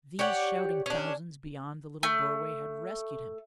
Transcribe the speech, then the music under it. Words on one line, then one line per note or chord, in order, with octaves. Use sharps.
These shouting thousands beyond the little doorway had rescued him.
G4 C#5 D5 F#5
C#4 D4
A3